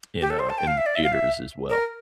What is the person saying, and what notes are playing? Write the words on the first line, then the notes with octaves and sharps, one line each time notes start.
in uh, in the theaters as well.
G4
A4
C5
A5
G5
F5
E5
D5
E5
F5
E5
A#4